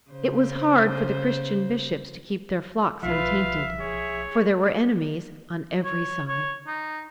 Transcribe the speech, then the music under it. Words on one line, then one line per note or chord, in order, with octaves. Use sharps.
It was hard for the Christian bishops to keep their flocks untainted, for there were enemies on every side.
C#3 C5
B1 F3 F4 B4 E5 F5
G#4 C#5
C#5
C#5
D#4